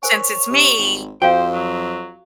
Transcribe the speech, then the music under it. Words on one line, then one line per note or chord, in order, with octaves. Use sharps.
since it's me,
A#4 C5 C#5 G#5
C3
G#1
F2 F#4 C5 F5 G5
F#3